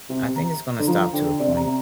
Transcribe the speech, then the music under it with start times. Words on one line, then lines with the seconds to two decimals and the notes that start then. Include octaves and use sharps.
I think it's gonna stop to a point
0.10 C3
0.36 A#5
0.80 D3
0.87 F3 A#5
1.13 D3 G5
1.40 C3 D5
1.57 A#5
1.66 C3